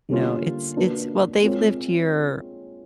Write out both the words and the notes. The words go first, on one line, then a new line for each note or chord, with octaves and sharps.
No, it's it's Well, they've lived here,
D3 G3 A#3 C#4 F4
A#3 D4 F#4 B4
G#3 C4 F4 A#4 C#5